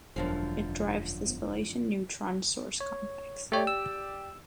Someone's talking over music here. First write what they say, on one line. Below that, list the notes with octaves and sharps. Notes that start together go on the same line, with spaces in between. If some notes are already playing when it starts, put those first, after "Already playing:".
It drives the spallation neutron source complex.
E1 F#2 D3 F3
C#5
A3 G4 C#5 D5
E6